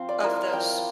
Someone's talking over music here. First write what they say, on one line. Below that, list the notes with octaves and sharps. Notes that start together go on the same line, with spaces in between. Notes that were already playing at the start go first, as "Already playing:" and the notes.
of those
Already playing: F3 C4 F4 C5
D5
E4 A#4
F3 G5